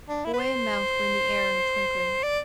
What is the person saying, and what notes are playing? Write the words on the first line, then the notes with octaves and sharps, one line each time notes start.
Boy and mount were in the air in a twinkling.
D4
E4
B4
C5
D5